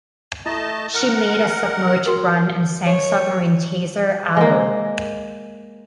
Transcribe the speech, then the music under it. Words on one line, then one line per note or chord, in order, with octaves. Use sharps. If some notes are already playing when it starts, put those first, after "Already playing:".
She made a submerged run and sank Submarine Chaser Alo.
A3 E4 D#5 A5
A#4 F#5
F#4 A#4
C#5
G#3 A#3